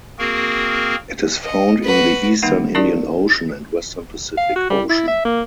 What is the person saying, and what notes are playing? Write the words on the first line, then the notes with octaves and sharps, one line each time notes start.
It is found in the eastern Indian Ocean and western Pacific Ocean.
A#3 C4 F#4 G#4 A#4
D#5
F#4 B4
D3 D#3 G3 A#3 D#4 F#5
C#4 D#4 E4 G4 A#4 D5
F5
F#4
G3
E4
E5
A#3